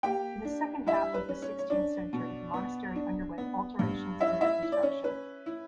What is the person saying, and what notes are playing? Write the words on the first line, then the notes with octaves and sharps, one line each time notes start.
In the second half of the sixteenth century the monastery underwent alterations and reconstruction.
A#3 G4 G5
D4
G3 E4 E5
B4
C#4
C#4 C#5
C#5
C#4 D4 D5
B2
B3
D4
B3
G2
C#4 E4 E5
E4 E5
E4
D5
C#4 C#5
C#4 B4
E4